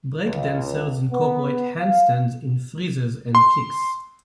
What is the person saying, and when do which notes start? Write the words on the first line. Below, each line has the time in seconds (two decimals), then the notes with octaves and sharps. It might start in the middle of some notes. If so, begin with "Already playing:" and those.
Breakdancers incorporate handstands in freezes and kicks.
0.24 C#2
1.12 B3
1.80 F5
3.35 C6